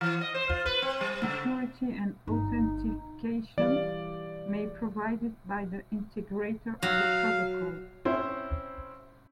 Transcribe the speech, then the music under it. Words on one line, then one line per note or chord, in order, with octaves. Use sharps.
Security and authentication may provided by the Integrator of the protocol.
E3
D#5
C5
F4
B4
C4
G3
C#3
G1 D#4
E3 G3 D5 F5
F#3 F5
C4 C#4 E4 C5